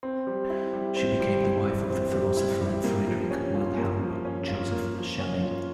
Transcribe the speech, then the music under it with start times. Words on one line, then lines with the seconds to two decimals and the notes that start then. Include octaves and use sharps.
She became the wife of the philosopher Friedrich Wilhelm Joseph Schelling.
0.03 C4
0.27 G3
0.50 E4
0.73 G3
0.96 C4
1.20 G3
1.44 E4
1.67 G3
1.90 C4
2.13 G3
2.37 E4
2.61 G3
2.84 A#3
3.07 F3
3.31 C#4
3.55 F4
3.78 A#3
4.01 F3
4.25 C#4
4.48 F4
4.71 A#3
4.95 F3
5.19 C#4
5.43 F4